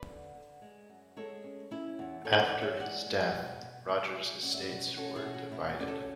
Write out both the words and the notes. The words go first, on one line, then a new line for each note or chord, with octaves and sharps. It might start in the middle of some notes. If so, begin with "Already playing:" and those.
After his death, Roger's estates were divided.
Already playing: B4 D5
D3
D3
G#3
F#2
G#3 A4 C#5
C#4
C#4 E4
E2
E2 A4 C#5
B4 D5
E2
C#5 E5
G#3 D5 F#5
G#3
B2
B2
B2 E5 G#5
G#3
C#4 D5 F#5
E5
B4 D5
B2
C#4 F#4 A4
E4 G#4
B2
F#4
B2 E4
F#4
C#4 D5
A4 C#5